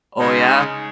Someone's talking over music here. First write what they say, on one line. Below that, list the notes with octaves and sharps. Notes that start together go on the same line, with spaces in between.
Oh, yeah.
C#3 G#3 D#4